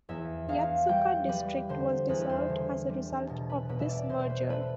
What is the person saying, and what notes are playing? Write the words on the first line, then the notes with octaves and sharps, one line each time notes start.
Yatsuka District was dissolved as a result of this merger.
E2 E5
E2 F5
G3 G5
G3 B4
D3 C5
E2 B4
B4
C5
D3
G3
B2
B4
B2 B4
E5
D5
B2 C5
C5
B4
A3 B4